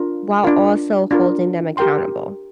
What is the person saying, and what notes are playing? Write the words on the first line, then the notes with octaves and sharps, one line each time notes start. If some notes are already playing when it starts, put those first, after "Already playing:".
while also holding them accountable.
Already playing: D4 F4 A#4
D4 F4 A#4
D4 F4 A#4
G4 A#4 G5 C6